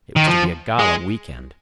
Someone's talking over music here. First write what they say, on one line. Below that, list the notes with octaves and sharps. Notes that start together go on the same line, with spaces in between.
It was to be a gala weekend.
D#3
F3
G#3